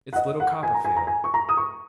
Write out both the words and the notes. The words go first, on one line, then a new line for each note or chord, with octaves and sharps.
'It's little Copperfield!'
F#5
D#5
F#5
G#5
A#5
G#5
A#5
G#5
C#6
A#5
D#6
C#6